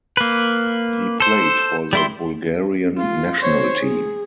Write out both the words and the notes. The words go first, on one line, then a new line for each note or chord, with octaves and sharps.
He played for the Bulgarian national team.
A#3 B4
A4 C5
G3 E4 C6
F4
C5 C#5
G#4